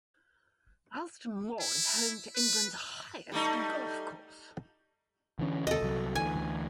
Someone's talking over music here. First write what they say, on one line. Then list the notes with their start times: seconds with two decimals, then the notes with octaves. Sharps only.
Alston Moor is home to England's highest golf course.
1.61 E4
2.36 B4
3.32 G3 A3 D#4
5.39 D3 E3 C#4
5.67 D#2 C3 A4 D#5
5.82 C2 F#3
6.15 D2 E3 G#5